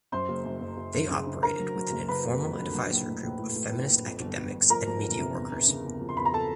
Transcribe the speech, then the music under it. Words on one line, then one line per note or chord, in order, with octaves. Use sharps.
They operated with an informal advisory group of feminist academics and media workers.
F#2 C5 C6
F#1
F#2
F#1
F#1
F#2
C#3
C#3
D3 A#4 A#5
F#3
F#3
F#1
F#1 B4 B5
F#1
F2
D3
F#3
A#1
A2
A#1
A2
A2
A2
A#1
F2
G1
G1
G1
F3 A#4 A#5
F3
G1
C3
E2
E2
C#3
E2
F3
C6
E2 B5
A#5
A4 A5